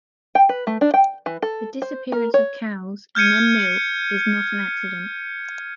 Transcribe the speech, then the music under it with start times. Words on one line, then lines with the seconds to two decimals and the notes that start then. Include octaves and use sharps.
The disappearance of cows, and then milk, is not an accident.
0.35 G5
0.49 B4
0.67 A3
0.81 D4
0.94 G5
1.26 E3
1.42 A4
1.82 C5
2.12 A#4
2.34 C#5
3.15 F6 G6 G#6 C#7 D#7